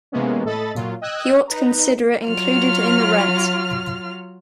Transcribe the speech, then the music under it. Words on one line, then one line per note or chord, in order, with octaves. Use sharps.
He ought to consider it included in the rent.
C3 E3 G#3 A#3 B3 C#4
A2 A4 D#5 B5 A6
A#2 F#3 F4
D#5 G5 D#6 E6 F#6 G#6
D#4 B4 A#5
F#3 F4 F6